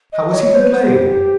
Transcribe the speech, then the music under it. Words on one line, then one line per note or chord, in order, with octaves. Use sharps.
How was he to blame?
D#5
C#5
C5
B4
C5
G4